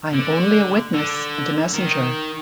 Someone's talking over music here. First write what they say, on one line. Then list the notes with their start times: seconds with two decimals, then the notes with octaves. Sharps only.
I'm only a witness and a messenger.
0.14 D3
0.94 D3
1.74 D#3